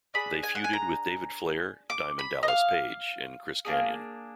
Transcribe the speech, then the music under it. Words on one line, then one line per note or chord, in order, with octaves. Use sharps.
They feuded with David Flair, Diamond Dallas Page and Chris Kanyon.
D4 G#4 B5
G#5
F#5
G#5
A#5
D6
B5
D#5
F5
A#3 D4 G#4